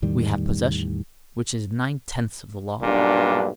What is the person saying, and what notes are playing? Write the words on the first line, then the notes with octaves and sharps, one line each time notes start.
We have possession, which is nine-tenths of the law.
E2 A2 D#3 G3
B1 G2 A#2 D4